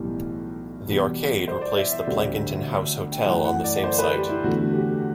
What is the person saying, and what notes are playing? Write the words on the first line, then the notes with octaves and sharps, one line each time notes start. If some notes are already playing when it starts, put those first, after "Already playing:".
The Arcade replaced the Plankinton House Hotel on the same site.
Already playing: B1 A2 E3 G3 B3
E2 B2 G3
C5
D5
E5
E5
D2 D3 G3 C4
G5
F#2 E3 A3 F#5
F#5
D5
D5
C5
B4
G4
E4
E2 D3 A3 F#4
G4